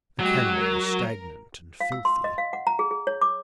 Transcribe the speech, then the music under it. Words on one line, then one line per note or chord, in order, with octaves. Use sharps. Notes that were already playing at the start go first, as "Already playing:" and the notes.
The kennel was stagnant and filthy.
F#3 G#3 F#4 G4
A#4
F5
E6
C6
D#5
F5
F#5
A#5
G#4
G#4
C#5
D6